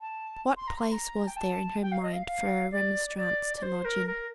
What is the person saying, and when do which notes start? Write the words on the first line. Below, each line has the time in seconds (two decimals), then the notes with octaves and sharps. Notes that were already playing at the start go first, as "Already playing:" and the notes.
What place was there in her mind for a remonstrance to lodge in?
0.01 A5
0.57 C6
0.68 A#5
0.77 C6
0.92 A#5
1.27 G5
1.37 A5
1.82 G5
1.92 F5
2.03 D#5
2.13 F5
2.27 F5
2.72 D5
3.17 D5
3.57 D5
3.62 C5
3.85 A#4
4.07 A#4